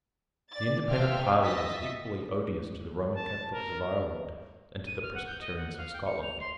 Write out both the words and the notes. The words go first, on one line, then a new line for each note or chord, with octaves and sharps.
The Independent party was equally odious to the Roman Catholics of Ireland and to the Presbyterians of Scotland.
D5 A6
A4 E5 F5 G5 C6 F6
D#5 E5 D#6 A6 B6
A5
A#4
D#7
F6
F#5
G6
D#5
F#5
F5
G5
C#7
F7
C6